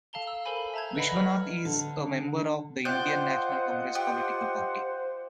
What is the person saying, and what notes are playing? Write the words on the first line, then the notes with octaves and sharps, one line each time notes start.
Vishwanath is a member of the Indian National Congress political party.
A4 F5 A5 A#5 G7
E6
A4 A#4 C5 G#5 B5
E5 A5 A#5 G6 G#6
B4 D5 D#5 F#5 A#5 B5
F6 B6
D3
F4 C5 D5 D#5 F#5 G5 F#6
G4 C5